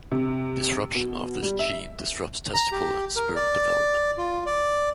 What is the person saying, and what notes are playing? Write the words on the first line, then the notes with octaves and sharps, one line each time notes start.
Disruption of this gene disrupts testicle and sperm development.
C3
B2
G3
E5
A#5
G4
A#4
D5
F4
D5